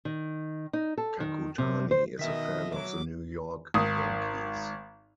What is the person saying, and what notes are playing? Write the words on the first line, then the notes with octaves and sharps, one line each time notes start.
Kakutani is a fan of the New York Yankees.
D#3
D#4
A4
D#3
C3
C5
B2 D#3 D#5 E5 B6
F#3 D6
G#1 D#6